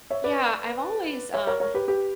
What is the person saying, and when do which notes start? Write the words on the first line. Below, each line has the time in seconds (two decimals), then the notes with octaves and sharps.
Yeah, I've always, um
0.10 C#5 E5
0.24 B4 D5
1.33 C#5 E5
1.47 A#4 C#5
1.60 A#4 C#5
1.74 G4 B4
1.88 G4 B4